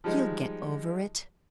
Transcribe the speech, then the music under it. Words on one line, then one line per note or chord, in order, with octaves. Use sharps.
You'll get over it.
F3 G3 G#3 D#4